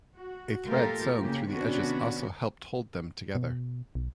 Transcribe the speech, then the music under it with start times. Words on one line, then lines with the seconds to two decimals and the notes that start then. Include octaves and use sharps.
A thread sewn through the edges also helped hold them together.
0.15 F#4
0.67 A#2 A3 F4 G4 A4 A#4
1.19 C#3 A#3 G4
1.50 C3 D#3 B3 C#4 D4 F#4
3.35 B2
3.95 B1